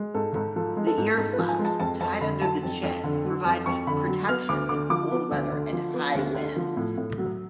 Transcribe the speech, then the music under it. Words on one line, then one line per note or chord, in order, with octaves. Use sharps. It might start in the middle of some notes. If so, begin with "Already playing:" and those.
The earflaps, tied under the chin, provide protection in cold weather and high winds.
Already playing: G#3
G#2 A4
G#2 A4
F3 A4
G#3
A4
G#2
G#2 A4
B4
F3
G#5
G#3
A5
F2 A5
F2 A5
D3 B5
F#3 A5
F2
F2
D3
F#3
F2
F2 C#6
D3 B5
F#3
B3 F6
D2 D6
D3 D6
F3 D6
B3
D2
D3
F3
B3
D2
D3
F3
A2
A2
F#3